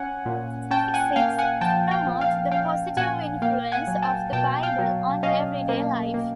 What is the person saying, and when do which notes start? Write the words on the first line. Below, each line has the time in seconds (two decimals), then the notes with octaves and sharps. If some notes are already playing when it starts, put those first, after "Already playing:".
It exists to promote the positive influence of the Bible on everyday life.
Already playing: C#4 F#5 G#5
0.26 A#2
0.71 C#4 G5 A5
0.94 F#5 G#5
1.16 A#3 F5 G5
1.38 F#5 G#5
1.61 F3 G5 A5
1.91 F5 G5
2.07 F3
2.21 F5 G5
2.51 C#4 F5 G5
2.97 A#2 F#5 G#5
3.42 A#3 F5 G5
3.72 F#5 G#5
3.87 F#3
4.02 G5 A5
4.33 B2 G5 A5
4.63 F5 G5
4.79 F#3
5.23 C#4 D#5 F5
5.69 A#3
6.14 A#3